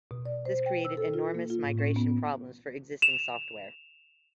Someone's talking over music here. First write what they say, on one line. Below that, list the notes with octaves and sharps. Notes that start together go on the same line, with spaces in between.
This created enormous migration problems for existing software.
B2
D5
C5
G5
E6
A4
F4
A#3
F4
A2
C#4
B3
E7 F7